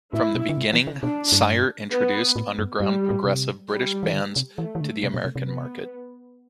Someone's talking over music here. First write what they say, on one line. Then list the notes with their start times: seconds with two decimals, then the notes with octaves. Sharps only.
From the beginning, Sire introduced underground, progressive British bands to the American market.
0.13 A2 E4
0.35 B2
0.49 D3
0.57 C3
0.73 E3
0.87 D3
1.02 B2 D4
1.32 G2
1.92 B3
2.36 A2
2.59 G2
2.80 G2 G3
3.10 A2
3.24 C3
3.70 G3
4.03 E3
4.13 D3
4.36 C3
4.58 E3 A3
4.75 E3
4.81 D3
5.03 C3
5.14 B2
5.25 C3
5.36 C3
5.47 B3